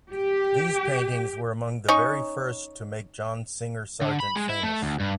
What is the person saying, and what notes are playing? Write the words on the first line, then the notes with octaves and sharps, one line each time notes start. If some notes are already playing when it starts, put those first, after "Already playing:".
These paintings were among the very first to make John Singer Sargent famous.
G4
C#4 D#4 C#6
D3
B5
G#3
E4
A3
D2
G2